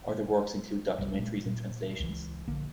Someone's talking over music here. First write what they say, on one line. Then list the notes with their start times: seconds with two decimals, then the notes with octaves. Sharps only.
Other works include documentaries and translations.
0.98 G1 C2 B2 G3
1.14 A#2 G#3
1.45 A#2
2.00 C#2 E3
2.48 A#1 D3 A#3